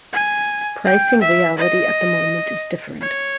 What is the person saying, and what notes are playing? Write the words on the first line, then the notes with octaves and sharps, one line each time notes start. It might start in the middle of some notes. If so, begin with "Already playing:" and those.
Pricing reality at the moment is different.
G#5
G5
E5
D#5
C#5